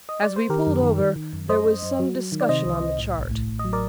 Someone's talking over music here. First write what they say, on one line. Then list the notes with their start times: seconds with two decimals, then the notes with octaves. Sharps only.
As we pulled over, there was some discussion on the chart.
0.09 D#5
0.23 D5
0.36 C5
0.49 D#3 G4 A#4
0.67 F#2
0.83 D#3
1.00 D#3
1.16 D#3
1.33 F#2
1.49 F#2 C5 D#5
1.66 F#2
1.83 F#2
1.99 F#3
2.16 F#3
2.32 D#3
2.41 D5
2.49 C3 C5 D#5
2.65 C2
2.82 C2
2.99 A2
3.15 A1
3.31 A2
3.48 A1
3.59 D#5
3.65 F#3
3.73 A#4 D5